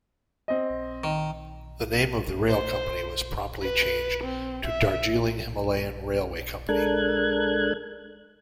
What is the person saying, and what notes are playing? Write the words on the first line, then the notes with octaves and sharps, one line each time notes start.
The name of the rail company was promptly changed to Darjeeling Himalayan Railway Company.
C4 D#5
D#3
C5
B4
C4
E5
G#3 D4 A4 A#4 F#6 G#6